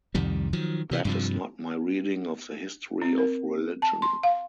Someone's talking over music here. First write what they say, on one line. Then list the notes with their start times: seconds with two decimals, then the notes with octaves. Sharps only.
That is not my reading of the history of religion.
0.14 C2 F2 D#3 G3
0.53 D#3 F3 F#3
0.91 C3 E3
1.05 G2 C3 F3
3.02 C4
3.18 A#4
3.82 A5
4.02 C6
4.23 F5